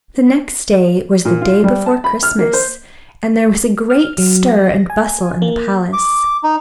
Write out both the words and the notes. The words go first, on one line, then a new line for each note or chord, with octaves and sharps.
The next day was the day before Christmas and there was a great stir and bustle in the palace.
A#2
F4
G3
A5
B5
F6
A#3
C5
F6
F#3
A#6
G#5
A#3
D6
D#4